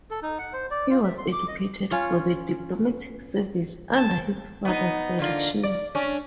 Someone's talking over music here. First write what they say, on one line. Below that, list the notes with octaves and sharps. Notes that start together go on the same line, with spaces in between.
He was educated for the diplomatic service under his father's direction.
A4
D#4
F#5
C5
D5
F4
E5
C6
D6
D#5
C#4 F4 C#5
A5
B3 D#4
D3 A#3 F4
D5
C#4 D4